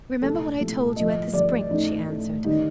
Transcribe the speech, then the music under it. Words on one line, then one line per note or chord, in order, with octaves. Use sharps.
"Remember what I told you at the spring," she answered.
C2 A#2 A3 A4
C2 A#2 A3
G2 F3 A3 D#5
G2 F3 A3 D5
A2 A3 D#4
A2 A3
D#3 G3 D#4